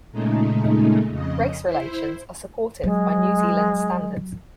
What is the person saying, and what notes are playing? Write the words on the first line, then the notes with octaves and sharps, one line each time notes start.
Race relations are supportive by New Zealand standards.
A#2 C#3 G#3 A3 D#4
F2 C#3 D#5
E4 C5
F#3 G#3